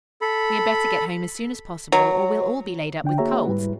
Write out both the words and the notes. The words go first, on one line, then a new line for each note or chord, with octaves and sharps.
"We had better get home as soon as possible or we'll all be laid up with colds."
A4 B5
F#3
D3 D4 G5
A#3 F#4 G#4 C#5 E5 A#5
G#2 G3 E4 B4